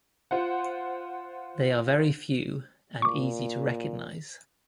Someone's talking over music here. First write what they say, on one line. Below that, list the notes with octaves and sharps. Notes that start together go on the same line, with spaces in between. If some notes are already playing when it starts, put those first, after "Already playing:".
They are very few, and easy to recognize.
F4 C5 F#5
A#2 C#6 D6